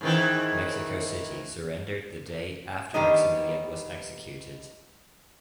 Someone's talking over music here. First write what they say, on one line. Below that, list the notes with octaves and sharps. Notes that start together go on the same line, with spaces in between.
Mexico City surrendered the day after Maximilian was executed.
G#2 D#3 E3
D#3 G3 B3 D4 D#5